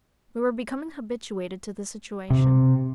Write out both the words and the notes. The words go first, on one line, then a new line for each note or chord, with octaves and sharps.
We were becoming habituated to the situation.
C3